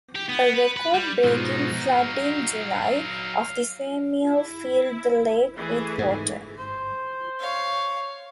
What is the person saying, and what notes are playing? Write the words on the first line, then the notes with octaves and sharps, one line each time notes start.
A record-breaking flood in July of the same year filled the lake with water.
G4
B3
B4
B4
G3
G#2 B2 F3 F#3 D#4
F5
E4
E3 A3 G#4
G#2
C5
C#5 F5